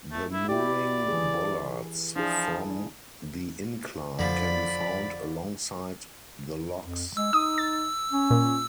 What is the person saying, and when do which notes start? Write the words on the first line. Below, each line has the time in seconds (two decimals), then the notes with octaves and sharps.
The mooring bollards from the incline can be found alongside the locks.
0.12 A3
0.33 E4
0.49 E4 G4 D5
1.08 E3 G#4
2.16 F3 D4 E4 G#4
4.19 F2 D3 F3 D5 B5
6.83 F2
7.17 G#3 E6
7.33 D#4 D#6
7.58 A6
8.13 C#4
8.30 A#2